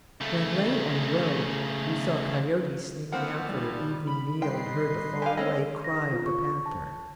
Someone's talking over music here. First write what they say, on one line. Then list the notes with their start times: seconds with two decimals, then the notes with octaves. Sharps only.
When late on the road, we saw coyotes sneaking out for their evening meal and heard the far-away cry of the panther.
0.21 C#3 A3
3.12 E3 F3 A#3 C4 F#5
3.49 G3 D#4
4.07 B5
4.42 G3 D#4 B4 G5 C6 C7
5.22 G4 F5 G#5
5.37 G#3 C4 C#4 D#5
5.84 A#6
6.13 F4
6.26 C#6
6.66 A5